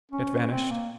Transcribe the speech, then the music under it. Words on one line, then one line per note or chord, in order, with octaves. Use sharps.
It vanished.
C#4
C4
A#3